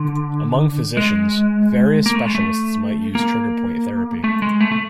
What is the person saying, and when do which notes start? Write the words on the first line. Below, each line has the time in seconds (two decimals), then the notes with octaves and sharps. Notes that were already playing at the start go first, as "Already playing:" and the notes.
Among physicians, various specialists might use trigger point therapy.
Already playing: D3
0.97 G#3
2.06 A#3
2.15 A3
2.25 G#3
2.35 A3
3.15 A#3
4.24 A3
4.42 G#3
4.60 A3
4.72 A3